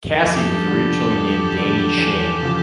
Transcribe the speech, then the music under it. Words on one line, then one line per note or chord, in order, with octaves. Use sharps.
Cassie was originally named "Danni Shayne".
F2 G4 A4
D3 G3
F2
D3 G3
E2
C#3 F3